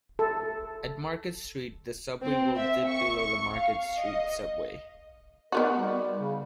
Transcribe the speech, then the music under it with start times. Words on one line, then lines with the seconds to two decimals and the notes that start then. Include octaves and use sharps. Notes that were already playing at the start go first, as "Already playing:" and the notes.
At Market Street, the subway will dip below the Market Street Subway.
0.19 A4
2.23 C4
2.56 E5
2.89 C#6
3.21 C#6
3.54 F5
3.98 D#5
5.52 B3 D#4 F#4 A#4
5.77 G3
6.19 C#3